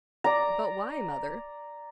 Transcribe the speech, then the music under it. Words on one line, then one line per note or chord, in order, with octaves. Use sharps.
"But why, mother?"
D5 A#5